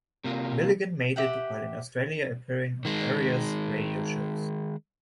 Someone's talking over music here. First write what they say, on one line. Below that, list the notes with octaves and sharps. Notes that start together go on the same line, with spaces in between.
Milligan made it while in Australia appearing on various radio shows.
C3 A#3 F4
G4 E5 F#5 G5
D#3 G#3